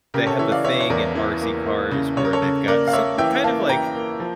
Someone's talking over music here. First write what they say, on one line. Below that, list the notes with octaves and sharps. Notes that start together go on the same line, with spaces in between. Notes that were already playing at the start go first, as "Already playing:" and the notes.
They have a thing in RC cars where they've got some, kind of, like
C#3 G4 A#4
A4 C#5
E3 C#5 E5
D5 F5
E3 C#5 E5
C#5
E2 A#4 D5
E3
A#3
A#3
C#3
C#3 C#5
A#4
A4 C#5
C#3
A#3 A#4 D5
F5
A#3 C#5 E5
E3 E5 G5
A#3 F5 A5
E3 G5 A#5
A#3
F3